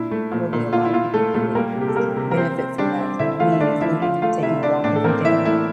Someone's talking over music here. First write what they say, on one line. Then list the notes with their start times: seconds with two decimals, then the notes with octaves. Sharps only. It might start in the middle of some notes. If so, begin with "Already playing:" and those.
probably a lotta people who would m benefit from that, me including taking a walk every day,
Already playing: A#2 D4 E4
0.11 A3
0.32 A#2
0.53 A#2
0.72 A#2 F4
0.85 E4
0.93 A#2 F4
1.14 A3 A4
1.34 A#2 A3 A4
1.55 G3 A#3 A#4
1.75 C3
1.81 G4
1.88 A4
1.96 G3 A#3 A#4
2.16 C3
2.31 A#4
2.37 C4 C5
2.58 C4
2.78 G3 D4 D5
2.99 C4
3.19 D3 E4 E5
3.32 E5
3.40 A3 F4 F5
3.52 E5
3.60 A3 D4 D5
3.81 F3 E4 E5
4.02 F3 F4 F5
4.22 A3 F4 F5
4.42 C3 E4 E5
4.63 D4 D5
4.84 A2 D4 D5
4.96 A4
5.04 A#3 C4 A#4
5.25 E3 E4 E5
5.45 A3 E4 E5